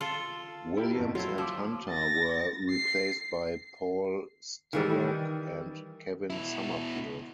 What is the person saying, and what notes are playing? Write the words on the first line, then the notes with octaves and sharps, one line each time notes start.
Williams and Hunter were replaced by Paul Sturrock and Kevin Summerfield.
F4 A4
E4 G4 A#4
A#1 F2
F#3 E4 F4
F3 D6 E6
A6 A#6
C7
D#3 E3 G3
B2 E4